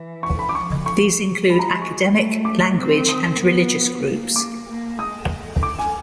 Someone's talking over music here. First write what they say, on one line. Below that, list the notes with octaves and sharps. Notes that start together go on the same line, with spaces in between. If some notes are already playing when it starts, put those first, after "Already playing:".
These include academic, language, and religious groups.
Already playing: E3
C#6
B5
D6
F3 C#6
C#6
F#3
G#3 B5
A#5
B5
C#6
A3
D6
C4
D#6
B3
A#3
D6
A#3
G#3 D#6
D6
G#5